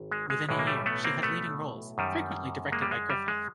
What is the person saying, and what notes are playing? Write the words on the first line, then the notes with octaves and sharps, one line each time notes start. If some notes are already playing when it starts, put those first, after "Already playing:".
Within a year, she had leading roles, frequently directed by Griffith.
Already playing: G#1
G#3
G#3
B1 A2 E3 G#3
A#3
G3 A3
A3 B3
A#3 C4
A3 B3
F#2 D#3 G3
G#3 A#3
G3
G#3
G3
G#3